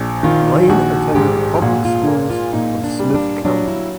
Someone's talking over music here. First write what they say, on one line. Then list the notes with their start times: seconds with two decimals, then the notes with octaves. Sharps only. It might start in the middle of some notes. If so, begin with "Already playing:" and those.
Lane attended the public schools of Smith County.
Already playing: A#1
0.23 D#3 F4
0.69 A#1 F#4
1.15 G#2 G4
1.55 G4
1.62 A#2 F#4
1.85 F4
2.07 A#3
2.30 F4
2.53 A#2 D#4
2.84 D4
2.99 G3
3.14 D4
3.45 F#3 D4
3.68 E4